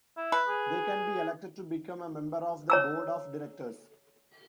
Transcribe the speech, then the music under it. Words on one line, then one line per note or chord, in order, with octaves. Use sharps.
They can be elected to become a member of the Board of Directors.
E4
B4
G#4
C#5 A#5 E6